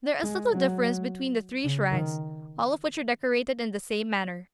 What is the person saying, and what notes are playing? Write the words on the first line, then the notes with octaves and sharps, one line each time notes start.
There is little difference between the three shrines, all of which are decorated in the same manner.
G#3
F#3
C#3
D#3